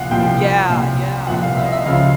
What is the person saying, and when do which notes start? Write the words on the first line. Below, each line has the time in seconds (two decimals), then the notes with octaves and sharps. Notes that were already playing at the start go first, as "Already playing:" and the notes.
yeah, yeah, but
Already playing: C2 A#2 F3 F5 F#5
0.11 C2 A#2 F3 G5
0.69 C2 A#2 F3
1.27 C2 A#2 F3 F#5
1.42 F5
1.57 E5
1.65 D#5
1.72 E5
1.85 C#2 C#3 F3 F5